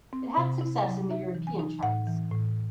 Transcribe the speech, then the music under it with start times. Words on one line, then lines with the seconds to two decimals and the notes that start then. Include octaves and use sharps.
It had success in the European charts.
0.13 C4
0.37 C3
0.61 E4
0.86 F#3
1.10 D#4 E5
1.35 E3
1.47 G#5
1.59 D#4
1.83 A2 F#5
2.07 E3
2.31 A2